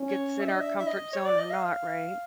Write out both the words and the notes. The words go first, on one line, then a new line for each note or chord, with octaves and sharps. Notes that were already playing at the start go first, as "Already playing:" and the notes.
gets in our comfort zone or not, right?
Already playing: C#4
C#5
E5
D4 D#5
E5
E5
D#5
C#5
D5
D#5
F5
F5